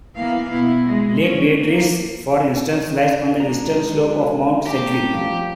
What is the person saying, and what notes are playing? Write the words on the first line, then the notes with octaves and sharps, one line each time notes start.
Lake Beatrice for instance lies on the eastern slope of Mount Sedgwick.
E3 A#3 B3 F5
B2 B3 E4
G#3
C#4
A#3
G#3 D4 A#5
F#4 G#4
A3 C#4 G4 A#4
F3 G3